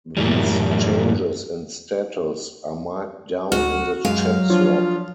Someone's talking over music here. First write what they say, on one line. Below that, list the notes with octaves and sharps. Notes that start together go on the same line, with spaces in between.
These changes in status are marked down in the ship's log.
F#2 A2 E3 G3
D2 F#4 F6
F#2 F#3 G#3 F5
F3 D4 F4 C#5